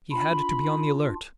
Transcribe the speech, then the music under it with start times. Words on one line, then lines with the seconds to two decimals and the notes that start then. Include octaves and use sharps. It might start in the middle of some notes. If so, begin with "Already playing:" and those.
He had to be on the alert.
0.12 D4 F4 B5